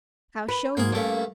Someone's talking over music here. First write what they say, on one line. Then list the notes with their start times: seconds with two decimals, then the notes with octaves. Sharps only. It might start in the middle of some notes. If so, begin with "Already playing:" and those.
I'll show you.
0.49 B4
0.77 G#2 A#3 G#4
0.92 G2 A3 A#3 C#4